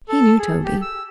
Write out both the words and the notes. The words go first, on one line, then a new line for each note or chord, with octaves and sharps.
He knew Toby.
A4
G#4
G4
E6